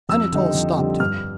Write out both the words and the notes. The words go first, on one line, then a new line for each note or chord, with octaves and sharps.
Anatole stopped him.
F2 E6
D3 G3 C4 D#4
F2
D3 G3 C4 D#4
G2 F6